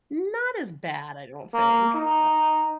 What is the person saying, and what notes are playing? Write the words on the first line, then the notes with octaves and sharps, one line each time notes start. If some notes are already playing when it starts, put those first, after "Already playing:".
Not as bad, I don't think, but
A#3
D#4